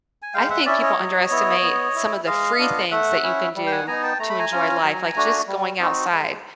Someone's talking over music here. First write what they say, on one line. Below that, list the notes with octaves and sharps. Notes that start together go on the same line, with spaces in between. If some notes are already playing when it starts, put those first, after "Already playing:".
I think people underestimate some of the free things that you can do to enjoy life, like just going outside,
G#5
G#3 F5 G5
E5 F#5
C#4 E4 D5 E5
E5
C#5 D#5
F#3
B3 E4
B3
E4
G#3 D#5 F5
B3 D4 F4
A3 E5 F#5
C#4 E4
G3
G5
F#5 G#5
B3 D#4 G#5 A#5
G5 A5
A3 A#5
B5
G#5 A#5
C#4 F4
F#3
A3 D4 F#4
G3
C4 D#4 F#4
G#3